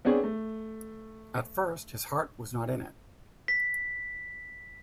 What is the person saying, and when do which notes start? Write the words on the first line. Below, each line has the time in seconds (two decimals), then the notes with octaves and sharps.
At first, his heart was not in it.
0.05 B3 C4 D4 G#4 C#5
0.23 A3
3.48 B6